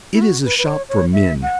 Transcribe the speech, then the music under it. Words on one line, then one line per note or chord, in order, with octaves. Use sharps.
It is a shop for men.
E4
F#4
B4
B4
C#5
C#5
E5
F#5